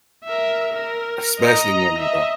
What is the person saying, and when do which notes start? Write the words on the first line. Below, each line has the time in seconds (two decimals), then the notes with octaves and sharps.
Especially women, bro.
0.24 A#4 E5
0.73 A#4
1.40 D#5 A#5
1.99 D#5 E5